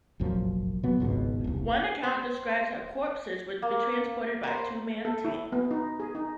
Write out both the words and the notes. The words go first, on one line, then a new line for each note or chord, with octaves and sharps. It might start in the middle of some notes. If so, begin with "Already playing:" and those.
One account describes how corpses would be transported by a two-man team.
F1 A#1 F#2 F3
B2 F#3 B3
G#1 C#2 G#2 B2
E1 C2
C5
A#3
A#4 C5
A4
E4
B3
D#4
G#4
D#4